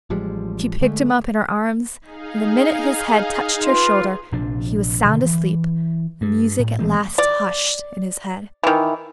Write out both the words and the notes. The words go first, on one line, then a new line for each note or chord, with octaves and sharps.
She picked him up in her arms, and the minute his head touched her shoulder he was sound asleep, the music at last hushed in his head.
A1 F3 G3 G#3
D3 G#3 A3
D#4 G#4 F5
F4 B4 C6
A#1 C3 F3 D4
G2 B2 D3 D#3
E3
G2
A2
A#1 E3 A3 C4
D5
D#3 E3